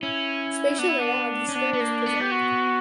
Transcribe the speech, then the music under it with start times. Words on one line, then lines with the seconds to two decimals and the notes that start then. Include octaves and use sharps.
Spatial layout of the square was preserved.
0.02 C#4 E4
0.79 B3 D4
0.89 E4
0.99 D4
1.49 C#4
1.55 B3 D4
1.73 B3
1.81 A#3
2.06 B3
2.21 G4
2.31 F#4